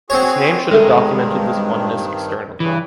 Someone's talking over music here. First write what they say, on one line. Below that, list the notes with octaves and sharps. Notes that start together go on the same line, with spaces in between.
Its name should have documented this oneness externally.
C4 F#4 G#4 C#5
G2 D#3 G#3 A4 E5
G2 C#3 E3